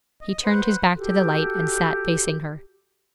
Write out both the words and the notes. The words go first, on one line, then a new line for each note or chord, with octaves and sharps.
He turned his back to the light, and sat facing her.
D#5
B4 C5 F#5
F#4 G4 A4